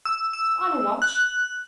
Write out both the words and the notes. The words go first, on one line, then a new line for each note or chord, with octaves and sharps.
"On a watch."
E6
E6
F#6